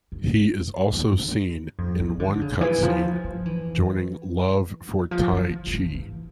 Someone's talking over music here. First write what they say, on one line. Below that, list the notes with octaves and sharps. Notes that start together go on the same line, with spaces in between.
He is also seen, in one cutscene, joining Love for T'ai chi.
G2
F2
E3
D3
C#3
E3
F3
F3
E3
F3
E3
F3
E3
E3